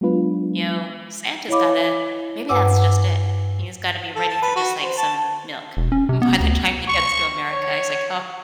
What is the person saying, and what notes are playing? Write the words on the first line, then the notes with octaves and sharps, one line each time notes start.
you know, Santa's gotta maybe that's just it. He's gotta be ready for just, like, some milk. By the time he gets to America, he's like, "Oh,"
F#3 G#3 B3 D4 F4 B4
E4 C#5 D#5 F5 B5 D6
G2 B4 F#5 G#5 D6 E6
A4
A5
B4
F#4
C5
A5
E1
C#4
C3
B3
D2
C#6
C#5